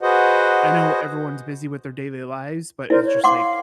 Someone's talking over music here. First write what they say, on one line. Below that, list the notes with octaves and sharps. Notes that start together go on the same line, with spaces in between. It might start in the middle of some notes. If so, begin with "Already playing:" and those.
I know everyone's busy with their daily lives, but it's just like
F#4 G#4 B4 C5 D#5 F#5
E4 A#4 C5 D5
C#5
F5 F#5 C6 D6